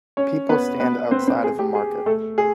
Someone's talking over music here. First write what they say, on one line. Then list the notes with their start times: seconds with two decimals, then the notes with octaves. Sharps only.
People stand outside of a market.
0.17 C#4 C#5
0.49 B3 B4
0.80 B3 B4
1.11 C4 C5
1.28 C4 C5
1.44 G#4
1.59 G4
1.75 G#4
2.06 A3 A4
2.38 G#4